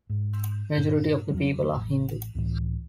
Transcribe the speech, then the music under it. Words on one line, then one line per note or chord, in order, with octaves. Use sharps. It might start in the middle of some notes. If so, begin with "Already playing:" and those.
Majority of the people are Hindu.
G#2
G2 A#2 D4
F2 F#3 G3
A1
C#2 A2 E3